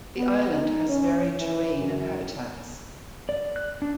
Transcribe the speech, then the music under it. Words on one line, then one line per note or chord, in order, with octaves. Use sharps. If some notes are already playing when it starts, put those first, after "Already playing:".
The island has varied terrain and habitats.
B3
D#4
C#4
E3
F#2
D5
F#6
D4